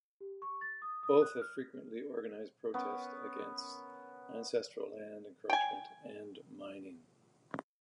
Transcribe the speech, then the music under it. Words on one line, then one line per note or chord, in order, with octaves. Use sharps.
Both have frequently organized protests against ancestral land encroachment and mining.
G4
C#6
A6
D#6
D#6
F#6
F6
B3 C#4 A#4 C#5
G5 G#5